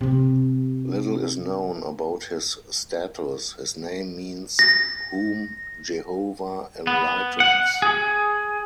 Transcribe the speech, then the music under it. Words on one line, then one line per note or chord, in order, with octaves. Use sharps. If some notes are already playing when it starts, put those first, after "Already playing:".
Little is known about his status; his name means: 'whom Jehovah enlightens'.
C3 C4
A#6
B3
F#5
G#4